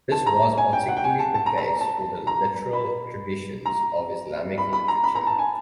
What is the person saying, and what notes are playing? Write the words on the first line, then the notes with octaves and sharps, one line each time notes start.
This was particularly the case for the literary traditions of Islamic literature.
A5
A#5
G#5
G5
F#5
G5
G#5
A5
A5
A#5
A#5
A5
A#5
B5
A#5
B5
B5
A#5
B5
A#5
A5
G#5